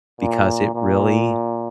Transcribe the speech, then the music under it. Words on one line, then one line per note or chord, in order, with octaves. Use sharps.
"because it really"
A#2
A#2